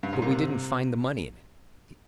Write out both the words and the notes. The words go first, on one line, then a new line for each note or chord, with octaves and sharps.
But we didn't find the money in it.
G2
G#2
A#2
C3